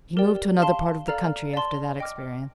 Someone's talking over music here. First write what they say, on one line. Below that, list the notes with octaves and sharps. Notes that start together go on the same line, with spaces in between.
He moved to another part of the country after that experience.
G4 A#4 D5 G5
F5 A5 C6
A4 D5 F5 A#5 F6
D5 A5 C6
D#5 G5 D6 F6